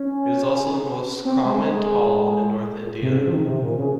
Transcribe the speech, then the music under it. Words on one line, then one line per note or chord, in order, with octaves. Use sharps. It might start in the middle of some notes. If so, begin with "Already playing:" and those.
It is also the most common tal in North India.
Already playing: C#4
C4
G#3
G#3
C3
C3
C#3
F3
D#3
C3
A#2
C#3